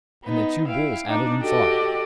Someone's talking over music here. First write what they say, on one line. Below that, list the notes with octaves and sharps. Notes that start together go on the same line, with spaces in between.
And the two bulls at it and fought.
B3 D#4
E4 F5 G5
D4 D#4
F#4 G4 A4 D5 D#5 G5